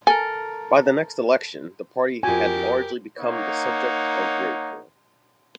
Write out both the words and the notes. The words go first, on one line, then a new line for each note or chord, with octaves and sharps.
By the next election, the party had largely become the subject of ridicule.
A4 A#4 G#5
F2 F#4 G4 A#4 G#5
A#3 D#4 C#5 F#5